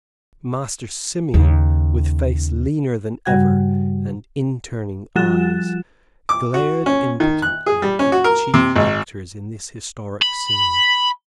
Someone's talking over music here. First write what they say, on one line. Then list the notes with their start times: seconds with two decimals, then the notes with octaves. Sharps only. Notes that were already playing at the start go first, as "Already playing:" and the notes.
Master Simeon, with face leaner than ever and inturning eyes, glared impotently at the chief actors in this historic scene.
1.34 D#2 C#3
3.25 G2 C#3 G3 F#4 F#5 G#6
5.16 F3 G3 F4 F#6 A6 E7
6.29 D6
6.54 F#4
6.86 C#4
7.20 D#3
7.42 F#6
7.66 G#4
7.82 G3
7.99 C#4
8.12 F#4
8.24 A#4
8.54 C3
8.76 G#1
10.22 B5